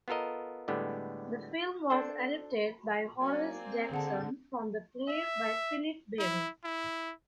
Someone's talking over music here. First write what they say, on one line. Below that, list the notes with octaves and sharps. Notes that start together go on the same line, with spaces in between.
The film was adapted by Horace Jackson from the play by Philip Barry.
B3 F4 A4 A#4 D#5
A2 D3 G3 G#3 B3
D4 A4 C5
F#3 A#3 C#4 D5 G#5
C4
D3 G#4 F#5 A5
E5
E4
E4